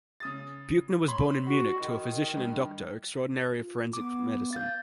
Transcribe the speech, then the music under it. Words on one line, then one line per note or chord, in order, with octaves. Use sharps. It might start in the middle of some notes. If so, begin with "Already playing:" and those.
Buchner was born in Munich to a physician and Doctor Extraordinary of Forensic Medicine.
C#3 D#6 A6
C#5 B5 C6
F#4
D#3
G2
F4
B3 D6
F5 G6 A6